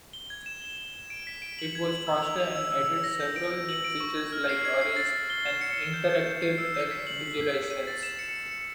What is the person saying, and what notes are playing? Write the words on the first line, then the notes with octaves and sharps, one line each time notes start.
It was faster and added several new features like arrays and interactivity in visualizations.
G7
G#6
E7
G7
G7
E7
D7
B6
D7
F#7
G#6
F#7
E6
F7
F7
E6
E6
E6
A#6
G6
D7
D7
F#7
D7
C#6
G#6
F6
C7
G#6
C7
A6
A6
G7
E7
C#7
E7
G6
G6
G6
C7
E6
G6
B6
F#7
B6
B6
B6
D#7
A6
E7
C#7
C#7
C#7